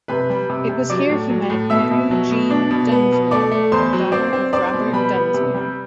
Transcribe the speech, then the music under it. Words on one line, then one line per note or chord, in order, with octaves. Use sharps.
It was here he met Mary Jean Dunsmuir, daughter of Robert Dunsmuir.
C3 B4 B5
G3
C3
C3
F#3 D5 D6
A2
F#3
A2
B2 E5 E6
B2
F#3
B2
D4
B2
B3
B2
A3 D5 D6
A3
E2 C5 C6
F#3
C4 D5 D6
C4
C4 D5 D6
B2
G3 B4 B5
B3
C3
G3